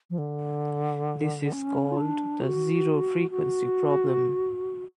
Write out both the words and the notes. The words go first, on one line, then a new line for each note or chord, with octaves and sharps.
This is called the zero-frequency problem.
F3
D3
C#4
F4
D4
F#4
F#4